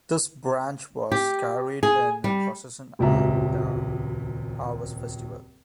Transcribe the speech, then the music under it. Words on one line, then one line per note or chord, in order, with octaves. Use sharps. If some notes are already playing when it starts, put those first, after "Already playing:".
This branch was carried in procession at a harvest festival.
G4
G#4
G3
D#1 G#1 C#2 F#2 E5 A#5